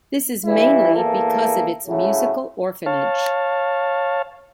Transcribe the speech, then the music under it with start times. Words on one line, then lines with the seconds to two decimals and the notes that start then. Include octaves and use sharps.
This is mainly because of its musical orphanage.
0.45 G2 E3 E4
0.94 E2 A#3 A4
1.86 A2 C#3 F#3
2.86 C#5 F5 A5